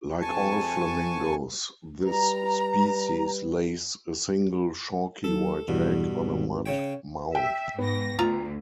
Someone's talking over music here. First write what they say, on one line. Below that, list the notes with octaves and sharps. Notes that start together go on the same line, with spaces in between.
Like all flamingos, this species lays a single chalky-white egg on a mud mound.
F2 G#5 A5 C#6
G3 B4 A#5
F#3 A4
E2 G2 B2
G#1
C#3 C#5 G5
E5 G5
G#2 B3 A#6
D2 F4 A#5